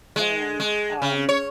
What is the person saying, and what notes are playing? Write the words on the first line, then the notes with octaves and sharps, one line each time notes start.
And, um,
G#3
G#3
C#3
C#5